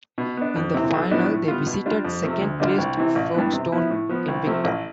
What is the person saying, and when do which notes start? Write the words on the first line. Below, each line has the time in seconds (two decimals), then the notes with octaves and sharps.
In the final, they visited second-placed Folkestone Invicta.
0.18 B2
0.37 B3 D4
0.56 F2
0.74 C3 E3
0.93 B1
1.11 A2 F3 B3 D4
1.30 A2
1.48 G3 B3 F4
1.67 B2
1.86 G3 D4 F4
2.05 F2
2.23 C3 F3 A3
2.41 D2
2.60 D3 G3 D4 F4
2.78 C2
2.97 C3 E3
3.15 A1
3.35 G2 E3 B3
3.52 C3
3.72 F3 B3 E4
3.90 A2
4.09 F3 B3
4.28 C2
4.46 C3 F3 A3
4.64 A1